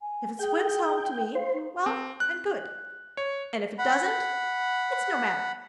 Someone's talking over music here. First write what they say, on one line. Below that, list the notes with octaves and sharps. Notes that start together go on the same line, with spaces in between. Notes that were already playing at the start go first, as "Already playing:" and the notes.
If it swims home to me, well and good; and if it doesn't, it's no matter.'
G#5
G#4 G5
C5 F5
D#4
C4
F#6
C#5
F#5 B5